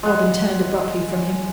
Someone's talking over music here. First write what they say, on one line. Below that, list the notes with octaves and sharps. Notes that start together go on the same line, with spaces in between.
Robin turned abruptly from him.
G#3 F#5